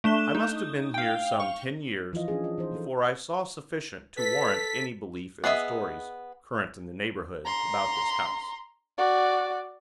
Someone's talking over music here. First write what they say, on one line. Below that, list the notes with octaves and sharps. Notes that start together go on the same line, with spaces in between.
I must have been here some ten years before I saw sufficient to warrant any belief in the stories, current in the neighborhood, about this house.
A3 D4 E7 G7
D#4
F5 G5
C#6
E3 F3 F4 D#5
C#4 D4 G#4
D#5
E3 D#4 C5
A4
A4 B4 B6
B3 G#4 D#5 E5
A#5 C6
F#4 D5